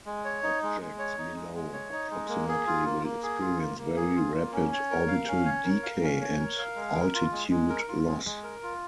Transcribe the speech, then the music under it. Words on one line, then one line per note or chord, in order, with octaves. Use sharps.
Objects below approximately will experience very rapid orbital decay and altitude loss.
G#3
C#5
D#4
G#3
G#3
C#5
D#4
G#3
G#3
C#5
D#4
G#3
A#3
G#4
F4
A#3
A#3
G#4
F4
A#3
A#3
G#4
F4
A#3
C#4
C#5
A#4
F5
C#4
C#5
A#4
F5
C#4
C#5
A#4
F5
G#3
A#4
F4
G#3
G#3
A#4
F4
G#3
G#3
A#4
F4